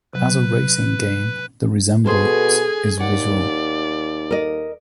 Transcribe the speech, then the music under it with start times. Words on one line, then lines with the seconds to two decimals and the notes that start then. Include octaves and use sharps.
As a racing game, the resemblance is visual.
0.13 C3 F#3 B4
2.06 B2 G#4 A4 C5 G#5
3.00 D#2 D5 F#5
4.31 A#4 D#5